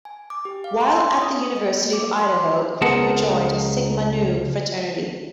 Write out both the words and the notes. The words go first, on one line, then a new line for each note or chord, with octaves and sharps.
While at the University of Idaho, Kramer joined Sigma Nu fraternity.
G#5
D6
G4
F5
C6
D#6
D#5
A#3
D6
C6
C#2 G#4 A#4 C5 F#5 A5